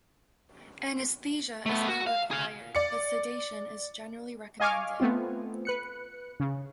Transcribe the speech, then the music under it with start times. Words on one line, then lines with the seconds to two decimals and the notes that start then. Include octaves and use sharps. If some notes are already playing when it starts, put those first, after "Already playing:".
Anesthesia is not required, but sedation is generally recommended.
1.66 A3 B3
1.88 F#4
2.07 F5
2.31 G#4 F5
2.75 D5 C#7
4.60 D#5 F5 G#5 C#6 D6 F6
5.00 A3 B3 C4 F4
5.65 B4 F#6 C#7
6.40 C#3